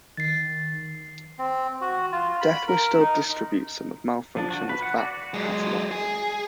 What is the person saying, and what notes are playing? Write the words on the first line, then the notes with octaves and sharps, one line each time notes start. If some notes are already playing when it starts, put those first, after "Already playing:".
Deathwish still distributes some of Malfunction's back catalog.
D#3 A6 C7
C4
F#4
F4
B5
A#4
D#4
F3 D4
F#4
B4
F#5
F#4 D5
F#3 G#3
G#4